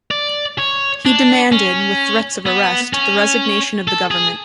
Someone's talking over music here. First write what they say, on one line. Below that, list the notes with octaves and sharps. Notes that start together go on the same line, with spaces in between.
He demanded, with threats of arrest, the resignation of the government.
D5
C#5
D4
C#4
B3
C#4
A4
G#4